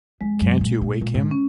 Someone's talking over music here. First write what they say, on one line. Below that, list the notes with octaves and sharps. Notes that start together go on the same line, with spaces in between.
Can't you wake him?
F2 G#3
F#2
A#2
A#2
A#2
G#2
C#4